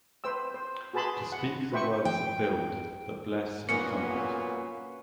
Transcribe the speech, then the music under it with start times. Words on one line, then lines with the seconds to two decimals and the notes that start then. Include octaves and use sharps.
To speak the words that build, that bless and comfort.
0.24 B4 C5 G5 E6
0.54 C5
0.93 F#4 G#4 B4 A5 B5 C6
1.32 F#5
1.72 F#4 B4 C5 E5 G5 C#6
2.05 G5
3.69 G2 A#2 A#3 B3 C#4 F#4 C#7